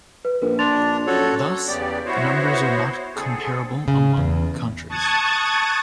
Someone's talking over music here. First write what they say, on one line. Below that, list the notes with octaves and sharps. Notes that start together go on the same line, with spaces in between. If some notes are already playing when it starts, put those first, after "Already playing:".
Thus, the numbers are not comparable among countries.
B4
A#1 A#4
D4 C6 A6 F7
F#2 F#4 A4 C#5
E2 C#3 B3 G4 D5
B3 E4 F#4 C5 C#5
D3 C4 G#4 A4
C#3
E2
A5 C#6 D#6 F#6 G#6 A6